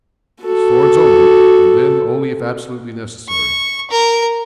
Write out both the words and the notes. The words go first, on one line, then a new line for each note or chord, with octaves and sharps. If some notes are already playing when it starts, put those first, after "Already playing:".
"Swords only, and then only if absolutely necessary."
F#4 A4
C#6
A#4